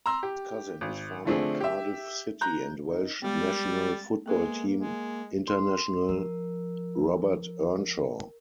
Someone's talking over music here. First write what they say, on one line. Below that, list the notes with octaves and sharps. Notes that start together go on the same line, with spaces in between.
His cousin is former Cardiff City and Welsh national football team international Robert Earnshaw.
A#5 C6 E6
G4
G#1
D3 F3 A3 C4 D4 G#4
G4 E5
A#5 F#6 G6
D#4
G3 G#3 B3 A6
G#3 A#3 B3 A4 B4
G#3
C6
F3 A#4